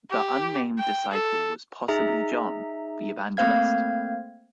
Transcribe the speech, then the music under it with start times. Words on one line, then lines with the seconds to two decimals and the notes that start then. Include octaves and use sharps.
The unnamed disciple was possibly John, the evangelist.
0.11 G4
0.79 G5
1.11 A4
1.88 D#4 G#4 E5 A#5
3.37 A3 A#3 C4 C5 F5 G#6